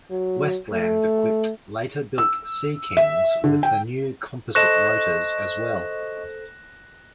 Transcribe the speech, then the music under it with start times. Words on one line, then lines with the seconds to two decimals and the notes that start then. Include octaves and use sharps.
Westland equipped later-built Sea Kings with the new composite rotors as well.
0.11 F#3
0.73 A3
2.18 E6
2.97 E5
3.44 D3
3.63 G5
4.55 A4 C5 D#5 C#6 F#6 A#6 E7